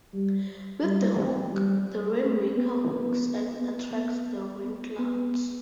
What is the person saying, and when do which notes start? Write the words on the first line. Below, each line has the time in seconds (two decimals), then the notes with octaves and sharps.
With the hook, the rainmaker hooks and attracts the rainclouds.
0.14 G3
0.83 G3
1.52 G3
2.22 A3
2.56 B3
2.91 B3
3.60 B3
3.95 B3
4.64 B3
4.99 B3